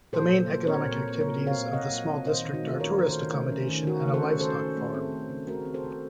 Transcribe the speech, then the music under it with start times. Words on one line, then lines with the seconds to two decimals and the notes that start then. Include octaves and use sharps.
The main economic activities of the small district are tourist accommodation and a livestock farm.
0.13 A#2 A4 C5
0.32 A#2
0.49 F#3
0.67 C4 A#4 C#5
0.85 A#2
1.02 A#2
1.20 F#3 A#4 C#5
1.38 C4
1.47 C#5 F5
1.56 A#2
1.73 A#2 D#5 F#5
1.92 F#3
2.09 C4
2.27 D#3 C5 D#5
2.45 D#3
2.54 D#4 F#4
2.63 A3 F4 A4
2.80 C#4 A#4 C#5
2.98 D#3 A#4
3.07 A4 C5
3.16 D#3
3.34 A3
3.52 C#4
3.70 D#3
3.87 D#3 F#4 A#4
4.06 A3
4.14 A4 C5
4.22 C#4
4.40 C#3 A4 C5
4.59 C#3
4.77 A3
4.94 C4
5.12 C#3
5.30 C#3
5.47 A3 F#4 A#4
5.65 C4
5.74 A4 C5
5.83 C#3